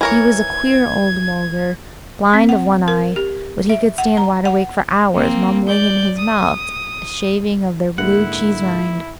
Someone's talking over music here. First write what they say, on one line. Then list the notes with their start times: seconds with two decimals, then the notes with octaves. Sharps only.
He was a queer old Mulgar, blind of one eye, but he could stand wide awake for hours mumbling in his mouth a shaving of their blue cheese-rind.
0.01 E3 A#4 C#5 G#6
2.34 C4
2.49 F#5
2.88 A#4
3.16 G4
3.70 E5
3.98 F#5
4.17 A#5
4.45 F#5
5.14 A#3 C4
5.68 D5 G6
6.18 D#6
7.98 G#2 D3 G#3 A#3 E4 F#5